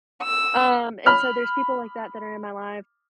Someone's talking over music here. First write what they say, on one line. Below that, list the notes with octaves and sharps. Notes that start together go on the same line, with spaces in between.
Um, and so there's people like that that are in my life
E6
B5 F6